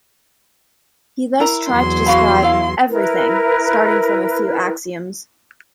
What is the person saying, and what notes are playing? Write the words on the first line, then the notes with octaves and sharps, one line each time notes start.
He thus tried to describe "everything" starting from a few axioms.
E4 A#4 A#5
E2 F#3 C6
F#4 F5 B5
E4 F5
E4 A#4 B4